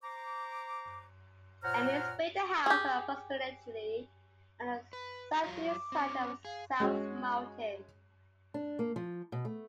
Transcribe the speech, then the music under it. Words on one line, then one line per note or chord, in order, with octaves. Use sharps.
Ames built a house on approximately on the southeast side of South Mountain.
C5 A#5 D6
A#2 C5 C#5 F#5 A#5 F6
G4 G#4
B4
F#3 F4
D6
C4 C#4
G#4 F5
G#3 C#4 F#4
D4
A#3
F3
B2
A3